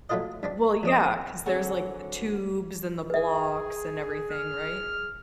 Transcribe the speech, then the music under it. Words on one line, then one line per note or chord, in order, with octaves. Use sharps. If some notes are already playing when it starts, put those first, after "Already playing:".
Well, yeah, 'cause there's, like, the tubes, and the blocks, and everything, right?
F#3 A3 A#3 F4 A4 D#5
G2 C4 D4
F2 C#4 D#5
D3 F#3 C4 G#4 C#5 G#5
G#4 B4 E5
F6